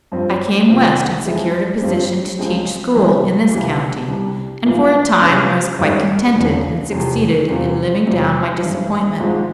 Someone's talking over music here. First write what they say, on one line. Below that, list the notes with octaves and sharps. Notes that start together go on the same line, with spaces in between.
I came west and secured a position to teach school in this county, and for a time I was quite contented and succeeded in living down my disappointment.
G2 F3 C4
F2 C3 G3 C4 F4
F2 E3 G#3 E4
G2 F3 C4 G4
C#2 C#3 F3 G#3 C4
C2 C3 E3 G3 C4
C#2 C3 E3 A#3
C2 C3 G3
G#2 E3 G3 A#3 F4
C#2 C3 E3 G#3 C#4
G#1 G#2 G3 C#4
E1 E2 C#3
F1 E2 C3
E2 C3 G3 C4 F4
E2 C3 G3 C4 F4
G#1 G2 E3
G#1 G#2 F3 G#3